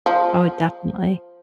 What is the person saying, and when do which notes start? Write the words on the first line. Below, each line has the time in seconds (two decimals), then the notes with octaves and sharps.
Oh, definitely.
0.06 F3